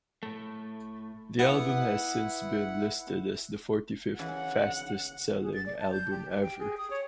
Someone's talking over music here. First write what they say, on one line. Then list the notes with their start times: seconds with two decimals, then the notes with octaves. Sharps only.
The album has since been listed as the forty fifth fastest-selling album ever.
0.23 A2 A3
1.39 B3 E4 F#5
4.19 C#3 E3 F#5
5.42 G#4
5.54 A6
5.66 D5
5.80 A5
5.91 G6
6.11 G4
6.30 G4
6.43 G5
6.59 G#4
6.77 D#6
6.90 C#5